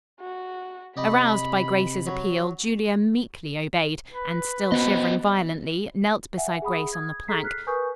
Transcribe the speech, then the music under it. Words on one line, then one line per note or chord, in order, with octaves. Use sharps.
Aroused by Grace's appeal, Julia meekly obeyed, and, still shivering violently, knelt beside Grace on the plank.
F#4
C3 D5 D#5 G5 B5
F#3
B4
B3 F#4 C5 D#5
E5 F#5 G#5
G#4 F#5 B5 D#6
D#6 G#6
G#4 A4 A#5 B6 C7
F6 F#6 B6 C7
A#4 B4 G#5 C#6 D#6 G6